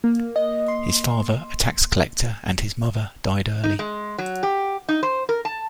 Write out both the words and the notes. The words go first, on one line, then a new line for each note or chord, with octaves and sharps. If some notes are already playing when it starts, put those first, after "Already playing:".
His father, a tax collector, and his mother died early.
A#3
D#5
C6
D#4
G#3
F#3
G4
D#4
C5
A#4
A5